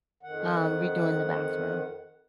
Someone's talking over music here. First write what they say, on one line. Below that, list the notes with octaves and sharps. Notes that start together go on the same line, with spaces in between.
um, redoing the bathroom
F2 D#3 F#5